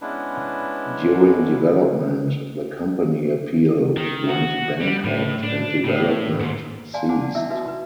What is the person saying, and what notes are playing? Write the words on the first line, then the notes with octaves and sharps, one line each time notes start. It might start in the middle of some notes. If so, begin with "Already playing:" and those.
During development, the company Appeal went bankrupt and development ceased.
G#3 B3 C#4 D4 E4 B4
D#3
F#4
G3
A2
D4
A2
G#2
D5 F5 G#5 A5 C6
C5 F#5 G#5 A5 D6
D5 F#5 A5
E4 D#5 E5 E6
D#4 F#4 B4 E5
B4